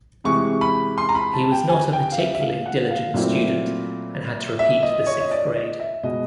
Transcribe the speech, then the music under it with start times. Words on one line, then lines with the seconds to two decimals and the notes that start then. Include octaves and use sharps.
He was not a particularly diligent student and had to repeat the sixth grade.
0.24 C3 E3 G#3 C#6
0.61 B5
0.98 C6
1.09 A#5
1.15 B5
1.33 A5
1.52 G5
1.69 G#5
1.93 G5
2.12 F5
2.18 E5
2.34 E5
2.41 F5
2.66 F#5
2.90 F5
3.14 A#2 F#3 A3 C4 E4
4.59 E5
4.83 D#5
5.07 C#5
5.20 D#5
5.31 D5
5.55 D#5
5.79 E5
6.03 B2 G#3 D#5